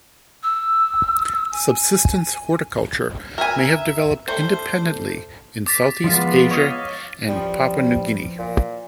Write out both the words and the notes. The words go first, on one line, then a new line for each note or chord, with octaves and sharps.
Subsistence horticulture may have developed independently in South East Asia and Papua New Guinea.
E6
G#5
A#4 B4 E5 G#5
G3 A3 A4 C5
D6 A6 B6
F3 G#3 B3 F4
C#5 D#5 F5
E3 F3 G3 C#4
A#2